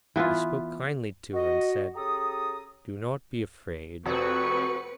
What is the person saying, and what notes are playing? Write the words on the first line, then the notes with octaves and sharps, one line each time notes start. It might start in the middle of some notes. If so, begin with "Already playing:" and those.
He spoke kindly to her, and said: 'Do not be afraid.
E3 B3 E4 F4
F#4 D#5
C#3 G4 A4 A#5 D#6
F1 C4 F#4 B4 C#6 C#7